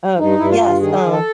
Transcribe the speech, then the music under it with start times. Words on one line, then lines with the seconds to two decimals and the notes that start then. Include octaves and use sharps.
Oh, yes, um
0.18 G2 D#4
0.38 G2 E4
0.49 F4
0.60 G2
0.81 D#3 G#4
1.01 D#3
1.12 A4